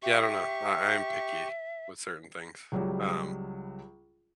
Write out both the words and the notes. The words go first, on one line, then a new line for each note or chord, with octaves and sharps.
yeah, I don't know. I I am picky with certain things. Um
G4 E5 C#6
C#2 F#3 G3